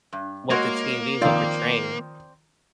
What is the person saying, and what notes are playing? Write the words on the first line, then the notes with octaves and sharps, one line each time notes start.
what the TV would portray.
G2
G#3 A#3 F#4 C#5 D#5
D#3 F3 C4 D5 F5